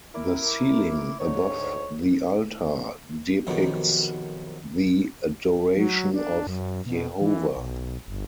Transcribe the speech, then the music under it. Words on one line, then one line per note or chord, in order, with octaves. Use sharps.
The ceiling above the altar depicts the "Adoration of Jehovah".
E4 A#4 D6
D2 G#2 C#5
B1 F#2 C3 D#3 F3 B3
F#3
D4
F#2
B2
E3
B1
G1